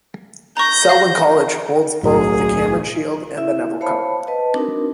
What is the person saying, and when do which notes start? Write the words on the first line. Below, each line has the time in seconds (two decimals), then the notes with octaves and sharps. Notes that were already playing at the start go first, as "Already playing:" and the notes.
Selwyn college holds both The Cameron Shield and The Nevill Cup.
0.57 A#5 C#6 G6 A#6
0.89 F5
2.03 D1 B1 A2 F#3 G#4
3.37 E4 E5
3.81 C5 C#5 F5 A5 B5
4.27 B4 D#5 A5
4.54 C4 D4 D#4 F#4 A#4